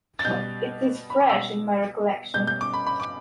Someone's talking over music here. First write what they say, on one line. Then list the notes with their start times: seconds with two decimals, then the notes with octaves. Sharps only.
It is fresh in my recollection.
0.19 A6
0.25 B2 G3 G6
1.10 B5
1.20 D6
1.29 B2 G3 E6
2.34 B2 G3 G6
2.47 G6
2.61 D6
2.74 B5
2.87 B5
3.00 D6